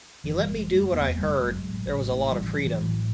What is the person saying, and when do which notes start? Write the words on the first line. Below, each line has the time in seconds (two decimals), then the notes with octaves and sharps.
He let me do what I heard, there was a lot of freedom.
0.24 F#1 E3 F#3
0.43 G3
0.47 F#1 F#3 G#3
0.70 F#1 G3 A3
0.93 E2 A3 B3
1.16 F#1 G3 A3
1.39 F#1 F#3 G#3
1.63 A1
1.86 A1
2.09 A2
2.32 A1 F3 G3
2.55 A1
2.66 E3 F#3
2.78 A2